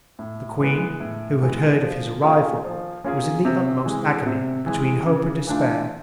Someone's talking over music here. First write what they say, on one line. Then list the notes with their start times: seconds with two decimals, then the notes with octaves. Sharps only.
The Queen, who had heard of his Arrival, was in the utmost Agony, between Hope and Despair.
0.19 A2
0.60 E3 G#3 B3
1.00 A2
1.41 E3 G#3 B3
1.81 F3
2.22 A#3 C#4 F4 G#4
2.64 F3
3.04 A#3 C#4 F4 G#4
3.45 C3
3.85 E3 G#3
4.26 C3
4.66 E3 G#3
5.07 C#3
5.47 E3 A3 D4 F4